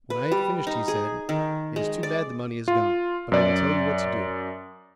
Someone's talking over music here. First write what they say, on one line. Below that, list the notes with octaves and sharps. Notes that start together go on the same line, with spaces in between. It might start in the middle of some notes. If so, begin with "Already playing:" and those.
When I had finished he said: 'It is too bad the money is gone, but I will tell you what to do.
B4
G3
D#4
G#4
D#3
G#3
D5
F4
F#2 D5